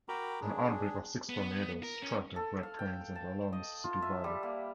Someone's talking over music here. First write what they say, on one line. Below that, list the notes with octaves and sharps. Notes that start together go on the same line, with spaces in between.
An outbreak of six tornadoes struck the Great Plains and the Lower Mississippi Valley.
F#4 A#4 G5 A#5 B5 D6
D4 G#4
B3
A#4
C#4
A4
F5
G5
A5
D#5
F4
E5
G3
A#3